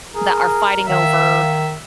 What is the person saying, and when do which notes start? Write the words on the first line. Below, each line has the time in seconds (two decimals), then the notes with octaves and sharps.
that are fighting over,
0.15 G#4 A#4
0.89 D#3 E5 F5